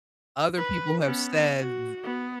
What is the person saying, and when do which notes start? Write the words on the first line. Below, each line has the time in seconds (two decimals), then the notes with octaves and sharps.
Other people have said, "Th
0.57 B4
1.02 B3 C#4
1.60 F#4
2.03 B3